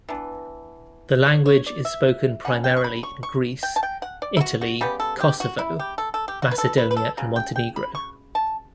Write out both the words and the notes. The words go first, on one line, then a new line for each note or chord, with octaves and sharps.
The language is spoken primarily in Greece, Italy, Kosovo, Macedonia and Montenegro.
E3 B3 D4
C#5
C#5
D5
E5
D3 G3 C#4 F#5
G5
C#6
B5
C#6
C#6
G5
A5
G5
F#5
D5
E4
F#4
F#4
C#3 G3 B3 G4
A4
G4
F#4
E4
G4
A4
A4
G4
F#4
B4
A4
B4
B4
A4
C#3 F#3
G5
G5
B5
C#6
A5